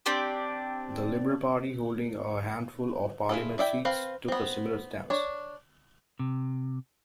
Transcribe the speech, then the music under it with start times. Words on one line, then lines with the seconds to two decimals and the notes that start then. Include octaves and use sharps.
The Liberal Party, holding a handful of parliament seats, took a similar stance.
0.06 C4 D4 G4
3.29 E4 F4 G#4 A4
3.58 E4 D5 E5 G5
3.85 C4 B4 F5
4.28 B3 C4
5.10 D4 C#5
6.19 C3